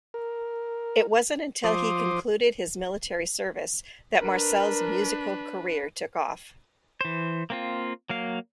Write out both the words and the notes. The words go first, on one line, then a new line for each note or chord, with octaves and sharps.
It wasn't until he concluded his military service that Marcel's musical career took off.
A#4
F3 C5 C6 D6 D#6
D4 A#4 B4
E3 C5
A#3 C4 F4
F#3 A#3 F5